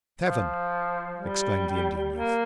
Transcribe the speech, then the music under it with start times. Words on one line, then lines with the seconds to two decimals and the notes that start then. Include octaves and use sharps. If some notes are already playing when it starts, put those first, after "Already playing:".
"Seven!" exclaimed the Indian youth.
0.21 F3
1.18 G3
2.15 A#3